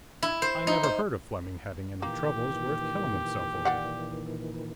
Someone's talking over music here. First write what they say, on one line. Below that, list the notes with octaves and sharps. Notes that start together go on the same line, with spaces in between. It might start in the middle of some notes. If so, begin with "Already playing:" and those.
"I never heard of Fleming having any troubles worth killing himself over."
E4
C5
D#4
C5
A#2 D#3 E3 A#3 G4
D5 F5 F#5